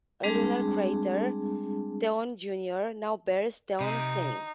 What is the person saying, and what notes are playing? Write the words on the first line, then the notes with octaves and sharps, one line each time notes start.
A lunar crater, Theon Junior, now bears Theon's name.
G3 G#3 C4 D4 G#4 A5
C3 D#4